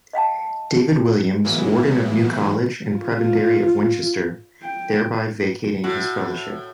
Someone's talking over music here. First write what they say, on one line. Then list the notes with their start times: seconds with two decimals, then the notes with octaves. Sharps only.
David Williams, warden of New College and prebendary of Winchester, thereby vacating his fellowship.
0.13 D#5 F5 G5 A5
1.44 E3 F#3 G#3 A#3 B3 E4
2.89 F4
4.64 G5
5.84 A2 F#4